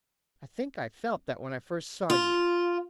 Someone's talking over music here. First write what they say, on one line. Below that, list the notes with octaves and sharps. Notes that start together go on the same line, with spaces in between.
I think I felt that when I first saw you.
F4